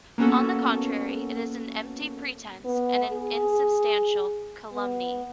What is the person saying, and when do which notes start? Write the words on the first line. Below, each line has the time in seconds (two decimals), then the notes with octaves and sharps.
On the contrary it is an empty pretense and an insubstantial calumny.
0.18 A#3 B3 C#4 F#4 A4
2.65 B3
3.11 G#4
4.73 B3